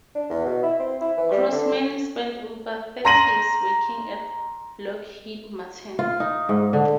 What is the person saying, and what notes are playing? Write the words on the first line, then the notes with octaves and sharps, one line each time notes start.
Crossman spent over thirty years working at Lockheed Martin.
D4
E2
B2
E4
C4
E4
E3
G3
D3
A#5 C6 A#6 D#7 F#7
F4
D#4
G#2
D3